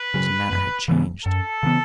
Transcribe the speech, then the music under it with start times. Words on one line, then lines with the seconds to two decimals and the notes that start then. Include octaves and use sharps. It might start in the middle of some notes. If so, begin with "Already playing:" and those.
His manner had changed.
Already playing: B4
0.14 C#3 F#3
0.51 F#2
0.88 C#3 E3 B3
1.25 F#2 A4
1.63 C#3 E3 B3